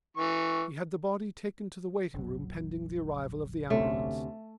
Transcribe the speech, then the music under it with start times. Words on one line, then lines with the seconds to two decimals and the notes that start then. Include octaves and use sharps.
He had the body taken to the waiting-room pending the arrival of the ambulance.
0.17 E3 C#6
2.14 F1 A#1 F#3
3.70 D2 C3 A3 C#4